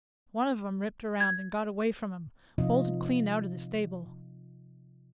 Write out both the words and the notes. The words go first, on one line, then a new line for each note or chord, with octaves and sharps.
One of 'em ripped around and got away from him--bolted clean out of the stable.
G#6
C3 F3 D#4 F4 D#5